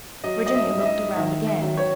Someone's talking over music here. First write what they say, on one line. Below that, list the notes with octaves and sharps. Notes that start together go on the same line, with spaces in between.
Virginia looked around again.
F#3 D#5
D#5
E5
G#2
E5
D#5
D#3 E5
E5
F#3
C#5